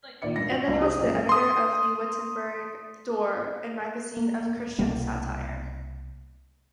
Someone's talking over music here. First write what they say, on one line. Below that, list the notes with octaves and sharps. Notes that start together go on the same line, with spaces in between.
Anthony was the editor of "The Wittenburg Door", a magazine of Christian satire.
A#2 D#3 D5 C#7
G2 A#6
F#4
C2
G4 G#4 C5 D#6
F#2 A#2 G#3
C6 D#6
A#3
C2 B2 G3 A#3